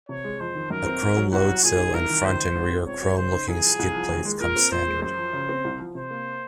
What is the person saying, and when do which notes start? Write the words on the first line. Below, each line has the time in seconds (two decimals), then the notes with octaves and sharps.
A chrome loadsill and front and rear chrome looking skid plates come standard.
0.09 C3 C#5
0.24 G#3
0.40 F2 C5
0.55 D#3
0.70 F#2 A#4
0.86 C4
1.02 G#2
1.17 F#3
1.32 C2 F#4
1.48 F#3
1.63 A#2 G#4
1.78 D#4
1.94 C2 A#4
2.10 D#3
2.25 C#2 C5
2.40 F3
2.55 G#2
2.71 C4
2.87 C#2 C#5
3.02 F#3
3.17 C#3 C5
3.33 D#4
3.48 C2 G#4
3.63 F3
3.79 C2
3.95 F3
4.09 D#2
4.25 G#3
4.40 A#2 A#4
4.56 C4
4.72 A#2 C5
4.87 G#3
5.02 F#2 C5
5.18 F3
5.33 C#3
5.49 C4
5.65 C2
5.80 F3
5.95 C3 C5
6.11 A#3